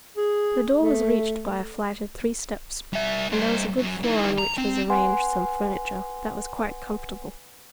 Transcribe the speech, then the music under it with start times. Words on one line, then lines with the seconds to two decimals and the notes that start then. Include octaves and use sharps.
The door was reached by a flight of three steps and there was a good floor on which was arranged some furniture that was quite comfortable.
0.17 G#4
0.81 A3
2.93 G3 E5
3.29 G2 C5
3.78 F#2
4.03 D#3 E4
4.38 A#5
4.58 C4
4.90 B4 F#5 G#5 C6